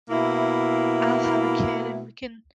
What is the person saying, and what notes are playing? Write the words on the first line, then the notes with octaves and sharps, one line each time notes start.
I'll have a kid, and we can
B2 A#3 E4